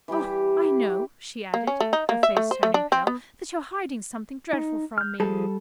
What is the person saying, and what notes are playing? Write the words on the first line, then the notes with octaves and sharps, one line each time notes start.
Oh, I know," she added, her face turning pale, "that you are hiding something dreadful from me.
E3 G3 E4 G4
A#3
C#4
A3
D#4
A#3
E5
A3
C5
A3
D4
C4
B3
D#4
F6 G6
F3 G3 G#4 A4